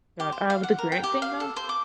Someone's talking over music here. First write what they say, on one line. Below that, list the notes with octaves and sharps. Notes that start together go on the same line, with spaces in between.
God, uh, with the Grant thing though,
G4
C5
F5
F#5
A#4
G5
G4
F5
A4
C5
D6